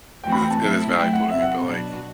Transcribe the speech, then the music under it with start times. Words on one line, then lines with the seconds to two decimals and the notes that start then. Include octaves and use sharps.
'cause it's it is valuable to me, but, like,
0.24 E3 A3 C4 F#4 G5
0.32 B5
0.42 G5
0.51 A5
0.60 C3 F#3 A3 E4
0.95 F#3 A3 E4 G5
1.13 F#5
1.31 C3 F#3 C4 E5
1.42 F#5
1.67 B2 F#3 B3 D4 F#4